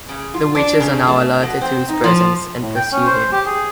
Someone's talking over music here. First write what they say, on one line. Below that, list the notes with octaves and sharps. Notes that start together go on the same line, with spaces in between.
The witches are now alerted to his presence and pursue him.
C#3
F4
D4
C#3
A3
B2
C4
D#4
F3
A2
G5
C#4
C5
G4
G#4